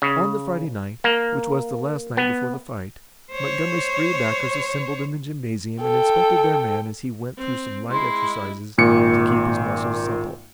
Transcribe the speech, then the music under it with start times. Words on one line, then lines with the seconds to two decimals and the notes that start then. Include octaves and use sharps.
On the Friday night, which was the last night before the fight, Montgomery's three backers assembled in the gymnasium and inspected their man as he went through some light exercises to keep his muscles supple.
0.02 C#3
1.04 A#3
2.17 B3
3.31 C5 C#5
5.82 A4 G5
7.38 C4
7.89 G#3 E4 C6
8.78 G#1 A#2 C#7